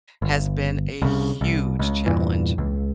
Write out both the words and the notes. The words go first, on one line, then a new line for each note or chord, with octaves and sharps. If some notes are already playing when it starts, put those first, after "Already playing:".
has been a huge challenge.
G1
C2 C#3
C2
C#2
E2 G2 A#2 E3
C#2